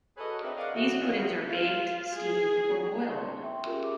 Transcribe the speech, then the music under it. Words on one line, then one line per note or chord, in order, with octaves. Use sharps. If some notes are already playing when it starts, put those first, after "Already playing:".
These puddings are baked, steamed or boiled.
F#4 G#4 A4 B4 C#5 D#5
C4 D4 D#4 A#4 B4 E5
G#4 A#4 D5 D#5 F5 F#5
A2 E3 F#4
D#3 B3 C#4 E4 F4
F4
G#4
A5 C6 C#6
E5 G5 C6
C#4 F4 G4 G#4 A#4
E5 D6